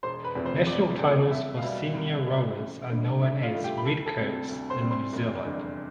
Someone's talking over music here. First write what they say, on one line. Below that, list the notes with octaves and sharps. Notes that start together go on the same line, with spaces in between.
National titles for senior rowers are known as Red Coats in New Zealand.
E1 C5 C6
B4 B5
E2 C3 F3 A3
C5 C6
E1 D5 D6
E2 C3 F3 A3
C2 E5
F5
B2 G3 E5
C2
B2 G3
A1
G2 D3 A3
A1 E5
F4 F5
G2 D3 A3
G4 G5
B5
D2 A4 A5
A4 A5
C3 G3
D2
C5 C6
C3 G3
C5 C6
F1
E2 D3 G3